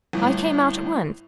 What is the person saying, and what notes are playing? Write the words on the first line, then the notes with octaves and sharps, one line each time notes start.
I came out at once.
G1 A2